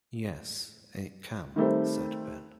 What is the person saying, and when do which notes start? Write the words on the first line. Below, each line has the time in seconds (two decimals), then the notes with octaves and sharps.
"Yes, it can," said Ben.
1.56 D#3 G3 A3 C4